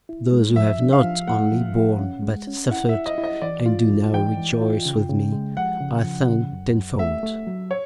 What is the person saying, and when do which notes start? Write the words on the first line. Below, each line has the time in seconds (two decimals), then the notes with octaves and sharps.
Those who have not only borne but suffered, and do now rejoice with me, I thank tenfold.
0.09 E4
0.32 G#3
0.56 F3 E5
0.80 D4
0.93 F5
1.04 F3
1.27 A3 F#5
1.52 F3
1.75 F3
1.99 C#4
2.22 G#3
2.47 C#4
2.70 E4 F#5
2.89 E5
2.94 E4
3.06 D#5
3.18 E4
3.24 D#5
3.42 E3 D5
3.66 F4
3.90 G#3
4.13 E3 G5
4.37 E3
4.61 F4
4.86 C#3
5.09 C#3
5.32 G#3
5.56 F3 F#5
5.80 C#3
6.04 F3
6.28 C#3
6.52 F#2
6.76 F#2
6.99 A3 E5
7.23 A3
7.47 F#3
7.71 C#5